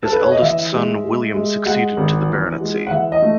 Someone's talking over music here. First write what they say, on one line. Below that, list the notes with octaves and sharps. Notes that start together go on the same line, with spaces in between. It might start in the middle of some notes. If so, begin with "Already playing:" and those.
His eldest son William succeeded to the baronetcy.
A4
B4
C#5
D#5
E3 E5
G#3
G#3
G#3
G#3 F#5
G#1
E3
G#3
F#5
E3 E5
D#5
A3